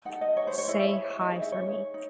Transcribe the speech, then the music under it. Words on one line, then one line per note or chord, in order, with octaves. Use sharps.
Say hi for me.
D#4 A4 F#5
D#5
C#5
C5
C#5
E4 G#4 D#5
E5
C#5
C#5
D#5
D#4 G#4 D#5
E5
C#5
D#4